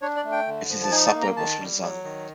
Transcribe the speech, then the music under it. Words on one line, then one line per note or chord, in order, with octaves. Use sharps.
It is a suburb of Lausanne.
D4 C#5
D5
A3
G5
D3
F3
A5
D#4 G#5
A5
A#3
A#5
D#3 A5
G3
F#3
D#3